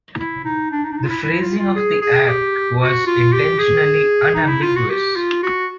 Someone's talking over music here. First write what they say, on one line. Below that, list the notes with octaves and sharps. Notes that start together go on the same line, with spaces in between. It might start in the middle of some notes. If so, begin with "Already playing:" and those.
The phrasing of the act was intentionally unambiguous.
E4
D#4
D4
D#4
D4
D#4
F4
E4
E4
F4
F4
G#4
G#4
G4
F#4
F4
G4
G#4
D#4
E4
F4
F#4
G4
F4
F#4